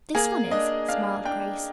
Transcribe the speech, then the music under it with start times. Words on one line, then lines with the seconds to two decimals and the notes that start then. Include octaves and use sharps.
"This one is," smiled Grace.
0.15 A#3 G#4
0.51 D4 D#5
0.89 D4 F5
1.25 D4 G5